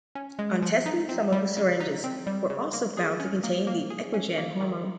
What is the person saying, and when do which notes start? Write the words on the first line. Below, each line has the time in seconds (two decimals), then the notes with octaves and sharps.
On testing some of the syringes were also found to contain the EquiGen hormone.
0.15 C#4
0.39 G#3
0.62 F3
0.86 D#4
1.09 C4
1.32 G3
1.57 C#3
1.80 D#4
2.04 C4
2.27 G3
2.50 C#3
2.73 A#3
2.97 G#4
3.20 C#4
3.43 A#3
3.67 A#3
3.90 G#4
4.14 C#4
4.38 A#3
4.61 D#3